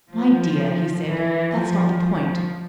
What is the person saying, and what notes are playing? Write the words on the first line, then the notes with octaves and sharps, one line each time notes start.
'My dear,' he said, 'that's not the point.
F3
E3
F3
F3